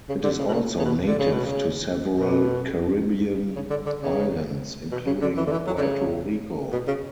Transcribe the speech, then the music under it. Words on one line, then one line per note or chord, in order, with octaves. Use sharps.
It is also native to several Caribbean islands, including Puerto Rico.
C#3
D3
C#3
B2
C#3
C#3
B2
D3
C#3
B2
C#3
B2
C#3
D3
D3
C#3
B2
C#3
D3
E3
D3
E3
F#3
D3
C#3
B2
C#3